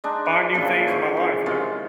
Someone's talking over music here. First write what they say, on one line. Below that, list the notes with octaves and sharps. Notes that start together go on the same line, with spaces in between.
find new things in my life, you know?
G#3 D4 D#4
D4
A#2 C#3 E3 F3
G#2 C5 C#5
C#3
C3 D#3 G#3 F4